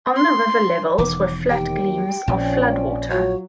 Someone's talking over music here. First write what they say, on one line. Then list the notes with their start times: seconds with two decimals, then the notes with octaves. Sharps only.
On the river levels were flat gleams of flood water.
0.15 C6
0.98 E1 E2 D#3 D6
1.50 D#2 G4 G5
2.28 A#1 A#2 F3 C4 C#4 D5
3.10 F#3 F4 F#4 C#5